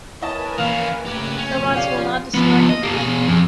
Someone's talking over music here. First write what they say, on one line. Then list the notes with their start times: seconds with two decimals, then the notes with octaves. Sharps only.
Robots will not destroy humanity.
0.22 E4 A#4 B4 C#5 D#5 G#5 A5
0.58 A#1 E3 C#4 F5
1.06 C#3 A3 G4 B4 G#6
1.38 F2 B2 F3 C#4
1.76 F4 G4 G#4 D5 F5
2.34 F3 B3
2.69 D#5
2.83 G4 A4
2.96 B2 G#4
3.27 F2